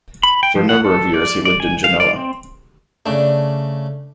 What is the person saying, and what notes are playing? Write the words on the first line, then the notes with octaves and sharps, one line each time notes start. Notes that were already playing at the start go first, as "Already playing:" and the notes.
For a number of years he lived in Genoa.
B5
G5
F3
F#5
A4
D5
D5
G#5
F5
D5
C4
C#3 A3 D4